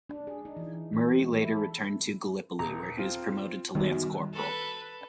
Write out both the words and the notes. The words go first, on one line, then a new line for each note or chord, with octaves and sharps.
Murray later returned to Gallipoli where he was promoted to lance corporal.
D4
G#4
D#4
E3
E3
G#3
E4
A4
D#1 A#5
C4 F4
F#2 B2 D#3 G3
A4 B4